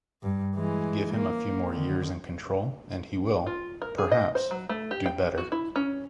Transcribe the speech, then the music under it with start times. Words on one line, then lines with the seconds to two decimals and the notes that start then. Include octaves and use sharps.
Give him a few more years in control and he will, perhaps, do better.
0.23 G2
0.55 E3 G#3
1.14 A#3
1.68 D3 D#3
3.47 F4
3.82 A#4
3.98 G#4
4.12 D#5
4.35 C5
4.51 F#3
4.69 A3
4.91 G4
5.06 G5
5.38 F#4
5.52 E4
5.76 C#4